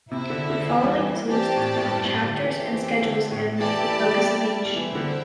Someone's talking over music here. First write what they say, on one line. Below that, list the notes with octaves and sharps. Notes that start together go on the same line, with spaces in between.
The following is a list of chapters and schedules and the focus of each.
C3 E4 C5 E5
D3
D3
E3
G3
E3
E3 C4 G4 D5 A5
A2
A2
G2
A2
D3
E3 A3 C4 G4
E3
E3
D3
A2
E3 A3 E4 G4 D5 A5
E3
G3
G3
E3 E4 C5 E5 G5
D3